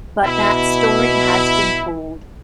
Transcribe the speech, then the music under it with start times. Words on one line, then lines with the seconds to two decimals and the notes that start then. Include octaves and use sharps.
But that story has been told.
0.24 B2 E4